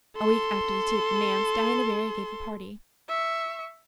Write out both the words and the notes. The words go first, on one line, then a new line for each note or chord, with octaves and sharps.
A week after the tea at the manse Diana Barry gave a party.
A4 C6
E5 C#6